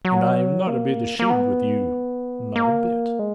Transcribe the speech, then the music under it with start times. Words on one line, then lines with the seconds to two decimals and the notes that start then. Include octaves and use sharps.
And I am not a bit ashamed with you, not a bit.
0.05 F#3
0.67 A#3
1.19 A#3
1.30 B3
2.56 A#3
3.19 G#3